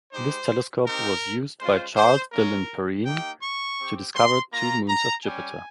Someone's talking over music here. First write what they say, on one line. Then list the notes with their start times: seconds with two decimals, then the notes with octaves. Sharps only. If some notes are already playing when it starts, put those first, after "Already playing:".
This telescope was used by Charles Dillon Perrine to discover two moons of Jupiter.
0.13 G#3 D#4 G4 C5
0.86 C4 D#4 G4 A#4
1.60 G#3 C#4 F4 C5
1.96 C5
2.32 A#3 C#4 F4 A#4
3.06 A#3 D#4 G4 G5
3.43 C#6
3.79 C4 G4
4.16 C6
4.52 A#3 F4 A#5
4.89 A#5
5.25 G3 C#4 G4 G#5